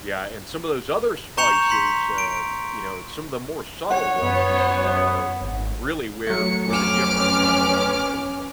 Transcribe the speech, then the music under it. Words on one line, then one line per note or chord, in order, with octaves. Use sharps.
Yeah, and some of those other spices, uh, you know, some of the more subtle ones are really where where the difference comes out, right?
A#5 C#6 G6 C#7 F7
C6 B6
D7
C#5 F#5
F#2 B3
G#1
F#3 A3 C#7
F2 B3 C#4 D6 F6